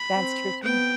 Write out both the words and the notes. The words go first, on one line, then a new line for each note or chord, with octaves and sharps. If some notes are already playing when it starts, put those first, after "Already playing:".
That's true too.
Already playing: B5
C4
B3 G5